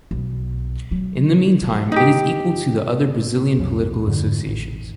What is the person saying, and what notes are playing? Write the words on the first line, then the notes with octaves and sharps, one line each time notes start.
In the meantime, it is equal to the other Brazilian political associations.
B1
F#3
D#1
D#4 G4
B1 F2 F#3 C#4
F2 G#2 D3
A1